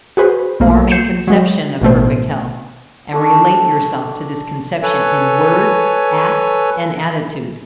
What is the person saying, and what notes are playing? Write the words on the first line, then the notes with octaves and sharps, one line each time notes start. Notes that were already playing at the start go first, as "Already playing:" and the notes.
Form a conception of perfect health, and relate yourself to this conception in word, act, and attitude.
F#4 G#4 B4 C5
B1 A3 A#3
G6 C7 C#7 E7
F#3 G#3
A1 B2 A3 C5
D4 A4 C#6
A4 B4 C#5 G#5